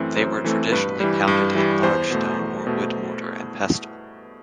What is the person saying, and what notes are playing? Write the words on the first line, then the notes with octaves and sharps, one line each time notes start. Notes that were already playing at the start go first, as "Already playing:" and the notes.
They were traditionally pounded in large stone or wood mortar and pestle.
Already playing: F#2 E3 A3 C4
F#2 C5
E3 A3 C4
G2 B4
E3 G3
G2
E3 G3
E2 C5
B2 A3
E2
B2 A3